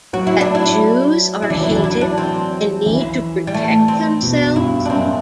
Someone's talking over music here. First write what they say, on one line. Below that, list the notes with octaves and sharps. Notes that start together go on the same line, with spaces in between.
That Jews are hated and need to protect themselves?
F#3 F#4
E4
D4
E4
E4
E3 D4
F#3
E4
E3 D4
E4
D4
C4
E3
G3
A3
C4
B2
G2 E4
D4
F#2 C4